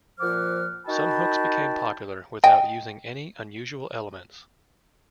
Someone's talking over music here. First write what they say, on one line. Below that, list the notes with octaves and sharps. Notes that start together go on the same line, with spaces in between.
Some hooks become popular without using any unusual elements.
A#2 F3 C5 F#5 D6 F6
D#4 F#4 A#4 G5 A5 B5
D#5 G5 G#5